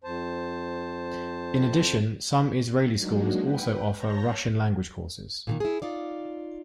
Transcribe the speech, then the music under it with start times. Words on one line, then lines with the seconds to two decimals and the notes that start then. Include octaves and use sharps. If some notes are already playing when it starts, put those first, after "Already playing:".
In addition, some Israeli schools also offer Russian language courses.
0.04 F2 C5 A5
2.96 F#3 G#3 A#3 D4 D#4 F#4
3.42 B4 F#5 G5
3.96 C#5 A5 A#5 C#6 G6 A#6
5.47 A#2 D3 D#3
5.60 E4 G#4
5.82 D#4 F4 D5